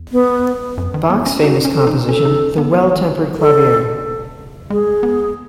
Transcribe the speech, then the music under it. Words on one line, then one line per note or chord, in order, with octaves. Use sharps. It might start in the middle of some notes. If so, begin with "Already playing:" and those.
Bach's famous composition, "The Well-Tempered Clavier".
Already playing: E2
B3
F#2
D#3
B3
C#4
D#4 F#4
C#4
A4
D#4
C#4 A4
D#4
B3
B3
E3
A4
G#3 G#4
B3